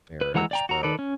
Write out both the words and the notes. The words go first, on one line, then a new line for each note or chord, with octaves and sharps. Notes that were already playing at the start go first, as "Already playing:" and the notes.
marriage, but
B4
E3 G#3 F#5 A#5 E6
D5 G5 A#5
F#4 A#5
D#3 A4 B4 D5
C#4